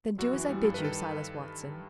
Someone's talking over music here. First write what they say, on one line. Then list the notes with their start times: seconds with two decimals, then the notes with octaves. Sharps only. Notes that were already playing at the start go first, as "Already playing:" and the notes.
"Then do as I bid you, Silas Watson."
0.18 F#2 F#4
0.33 E3
0.49 G3
0.64 G2 A4
0.74 D#3 B4
0.85 A4